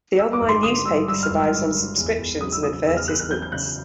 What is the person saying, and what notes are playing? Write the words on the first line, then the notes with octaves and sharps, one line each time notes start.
The online newspaper survives on subscriptions and advertisements.
G3 E6
D6
G#1
C6
D3 D#6
G2 E6
G3 E6
F6
G#1
E6
D3
G2
E2
E2
F#3 D#6
E6
C#3 D#6
E2 E6
F6
E2 F#6
F#6
F#3 G6
G6
C#3 F#6